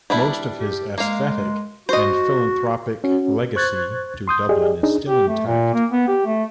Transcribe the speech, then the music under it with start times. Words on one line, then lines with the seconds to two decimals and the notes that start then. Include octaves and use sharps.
Most of his aesthetic and philanthropic legacy to Dublin is still intact.
0.10 G3 D4 E4
0.60 G4
0.98 G#3 A#3 F5
1.89 F#4 C5 D#5
3.04 C#4 F#4
3.56 C5 C#6 F#6 G#6 A6
4.28 C6 D#6 G6
4.49 G4 G#4 D5 D#5
4.83 D4 D#4 G#4
5.08 G4
5.28 A3
5.46 A#2
5.73 A#3
5.92 B3
6.08 G4
6.26 A3